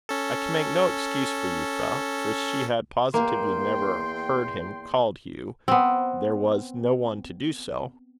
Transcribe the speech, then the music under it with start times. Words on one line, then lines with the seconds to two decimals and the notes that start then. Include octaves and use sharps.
I can make no excuse for Euphra, for she had positively never heard him called Hugh: there was no one to do so.
0.09 C#4 A4
3.14 E2 A#3 G5 C6
5.68 B3 C4